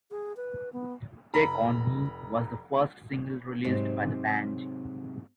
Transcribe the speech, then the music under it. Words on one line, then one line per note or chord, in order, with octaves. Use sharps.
"Take On Me" was the first single released by the band.
G#4
B4
B3
F1 A#5 B5
G#2 C3 F#3 C4